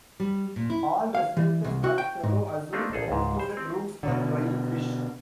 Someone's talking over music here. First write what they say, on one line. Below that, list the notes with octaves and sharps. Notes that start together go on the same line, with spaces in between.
All residences at Cerro Azul included rooms for drying fish.
G3
A#2
E4
F5
E3
C2
F#4
G5
G#2
A3 A#3 C4 D4 D#4 F4
A#1 G#4 A4
C#2 G#2
C5
C4
B2 D3